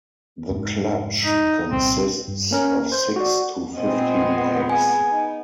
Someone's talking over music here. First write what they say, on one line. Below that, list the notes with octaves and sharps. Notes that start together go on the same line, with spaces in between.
The clutch consists of six to fifteen eggs.
F1 G#2
D#4
C2 A#2 C4
G2
A#3 C#4 A#4
C5 G6
F#4 D5
A#2 G#3 B3 C4 D#5
G#4 G#5
D#4